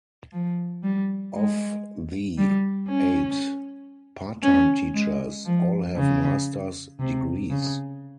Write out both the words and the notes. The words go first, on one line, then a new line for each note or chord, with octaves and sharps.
Of the eight part-time teachers, all have master's degrees.
F3
G3
G#3
G3
C#4
C#4
G#3
F3
C#3
C3
C#3